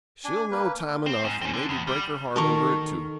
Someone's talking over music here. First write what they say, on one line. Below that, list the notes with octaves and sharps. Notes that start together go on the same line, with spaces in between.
'She'll know time enough, and maybe break her heart over it, too.
D4 G#5
A#3 B4
C4
G#2
C4 C#4
D3
E2
G3
D#3 A4 A#4 C#6